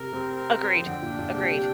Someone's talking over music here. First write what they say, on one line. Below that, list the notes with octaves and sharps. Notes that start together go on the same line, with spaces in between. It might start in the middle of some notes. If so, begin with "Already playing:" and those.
Agreed. Agreed.
Already playing: C3 A#4
C3 C4
A#4
C4
F3
D3 G5
A#2
D4
A#2
C3 G5
G3
D4